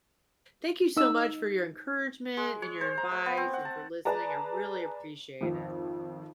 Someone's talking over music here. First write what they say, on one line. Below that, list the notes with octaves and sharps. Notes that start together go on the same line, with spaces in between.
Thank you so much for your encouragement and your advice and for listening, I really appreciate it.
D#4 E6
G#3
C#5
C5
A#5
A3
B3
C4
F#5
A5
G#4 B4 D5 A5 A#5
G#1 F2